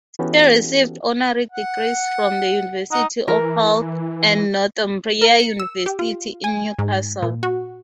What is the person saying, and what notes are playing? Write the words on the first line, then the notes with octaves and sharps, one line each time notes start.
He received honorary degrees from the University of Hull and Northumbria University in Newcastle.
E3 B3 C#4 F#4 G4 A4
F#5
D#4 F#5
E3 A#4
A#4
C#7
E6
G4
F4
G#5
G#2
A#2
F#4